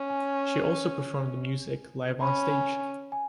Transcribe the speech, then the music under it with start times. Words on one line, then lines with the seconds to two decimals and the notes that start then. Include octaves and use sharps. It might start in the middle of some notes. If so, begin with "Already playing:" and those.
She also performed the music live on stage.
Already playing: C#4
0.10 G#5
2.21 C#4 B5
2.51 G#5
3.12 G#5